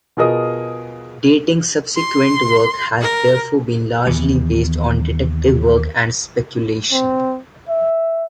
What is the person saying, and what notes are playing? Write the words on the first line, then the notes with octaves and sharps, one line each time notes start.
Dating subsequent work has therefore been largely based on detective work and speculation.
B2 F4 G#4 A#4 D#5 D#6
C6
A#4
D#2 E3 B3
C4
E5